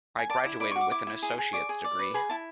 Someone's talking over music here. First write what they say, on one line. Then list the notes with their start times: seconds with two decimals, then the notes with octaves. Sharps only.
I graduated with an associate degree.
0.19 G#5
0.30 D5 A5
0.45 E4
0.60 D5 B5
0.71 C#6
0.76 F#4
0.81 D6
0.91 E4 D6
1.07 E4
1.22 G#4
1.38 G#4
1.53 D5 C#6
1.69 G#4
1.84 D5
1.99 B4
2.14 G#4 B5
2.29 E4 A5